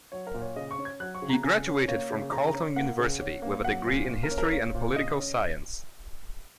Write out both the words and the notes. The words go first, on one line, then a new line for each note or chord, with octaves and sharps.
He graduated from Carleton University, with a degree in History and Political Science.
F#3 C#5
A#4
A#2
C#5
C#3 D#5
C#6
C#4
G#6
F#3 F#6
C#6
C#3
A#5
C#3 G#5
C#4
A#3 C#5
C#3
C#3 A#5
A#5
C#4
A#3 F#5
C#3
C#4
A#3
F#3 F#5
A#2
A#2
A#4
C#4
A#4
A#3 C#5
A#2
C#3 D#5
C#4